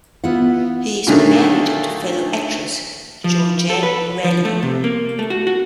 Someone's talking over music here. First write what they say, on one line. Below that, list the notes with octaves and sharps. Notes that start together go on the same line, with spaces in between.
He is married to fellow actress Georgette Reilly.
B3 E4 F4 B4 F#5
A#2 D3 D#3 F#3 A3 A#3
F3
A4
B4
F3
A3
C3
A#3
A3
F#4
F#4